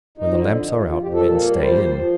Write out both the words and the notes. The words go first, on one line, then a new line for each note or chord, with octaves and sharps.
When the lamps are out men stay in.
F2 D#4
D3
F2
F2 D#4
F4
F2
F4
F2 G4
A#2 A4
A#3
G3
F3 C5
F3
F3